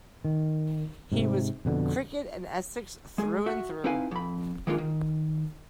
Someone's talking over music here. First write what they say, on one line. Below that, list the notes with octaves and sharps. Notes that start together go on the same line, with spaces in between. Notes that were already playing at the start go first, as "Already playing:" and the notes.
He was cricket and Essex, through and through..
D#3
G#2 C3
F2 B2 D3
G#3 G#4
F#4 E5
C4 D#4 E4 B4 F5 G#5
F2 B5
D#3 E3 G#3 A#3 D4 F4
D#3